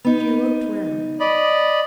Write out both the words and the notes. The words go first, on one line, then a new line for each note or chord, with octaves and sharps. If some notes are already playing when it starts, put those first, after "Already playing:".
She looked round.
B3 D#4
D5 D#5 B5